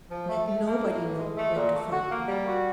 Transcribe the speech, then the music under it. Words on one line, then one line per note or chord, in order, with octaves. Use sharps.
"Let nobody know where to find me."
F3
A3
A3
A#3
A2
E3
G#3
A3
A#2
A3
F#4
A#3
G3
F#4